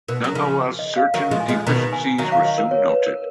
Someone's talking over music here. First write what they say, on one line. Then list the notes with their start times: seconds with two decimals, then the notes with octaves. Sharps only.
Nonetheless certain deficiencies were soon noted.
0.08 B2 A#4
0.24 F#3
0.35 C#3 F3
0.79 D#5
0.96 F5
1.14 D#3 F#3 F#5
1.31 F3 G#3
1.40 G#5
1.48 F3 G#3
1.66 B2 D#3 A#5
1.82 A#5
1.93 G#5
2.18 D#3 F#3 F#5
2.32 F5
2.45 D#5
2.58 A#4
2.71 C#5
2.89 B4
3.06 A#4